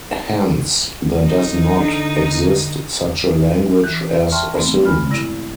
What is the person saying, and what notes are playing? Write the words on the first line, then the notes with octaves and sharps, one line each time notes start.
Hence, there does not exist such a language as assumed.
D#4
D3
E3 F#6
C5 D5 E5 F5
E5 G5 A5 C6 C#6 F6
G2 A3 B3 C4
C#3 G#3 B5 F6
G2 A#2 E4 D5 A#6